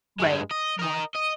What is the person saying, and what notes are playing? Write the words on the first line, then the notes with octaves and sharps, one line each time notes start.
Right. More.
G2 G#3
D#5
A#4 D#5
D#5